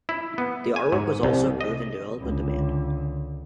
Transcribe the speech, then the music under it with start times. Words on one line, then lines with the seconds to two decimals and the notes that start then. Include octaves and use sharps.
The artwork was also approved and developed with the band.
0.09 E4
0.38 B3
0.76 G#5
0.92 G#2
1.23 C2
1.61 D#5
2.19 C#2 D3